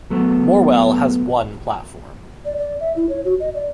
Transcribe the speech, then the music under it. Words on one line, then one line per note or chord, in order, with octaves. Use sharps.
Morwell has one platform.
F#3 A3 B3
D5
D5
E5
E4
C#5
F#4
D#5
D5